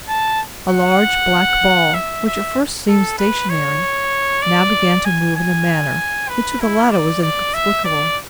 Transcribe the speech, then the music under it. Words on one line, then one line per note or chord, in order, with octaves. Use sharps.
A large black ball, which at first seemed stationary, now began to move in a manner that to the latter was inexplicable.
A5
F#5
E5
E5
A4
B4
C#5
D5
G#5
G#5
B4
E4
D5
D5
E5
D5